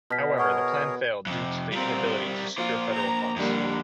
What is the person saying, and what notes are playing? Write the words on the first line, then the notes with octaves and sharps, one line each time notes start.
However, the plan failed due to the inability to secure federal funds.
B2 D#6 F6 B6
G#4 A#4 C#5 F#5 C#6 F6
F2 C3
G3 C4 F4 A#4
A#3 F4 C5
A#5
F2 D3 G3 A#3 A#4